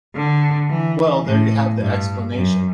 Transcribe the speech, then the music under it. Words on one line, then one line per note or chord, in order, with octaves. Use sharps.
Well, there you have the explanation.
D3
E3
A2
G2
F#2